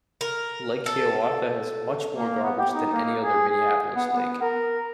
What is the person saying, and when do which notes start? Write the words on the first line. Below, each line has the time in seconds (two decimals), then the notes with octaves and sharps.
Lake Hiawatha has much more garbage than any other Minneapolis lake.
0.21 A#4
0.86 A4
2.13 A#3
2.44 B3
2.59 G4
2.73 D#4
2.93 A#3
3.22 G#4
3.48 G#4
3.95 B3
4.14 B3
4.42 A#4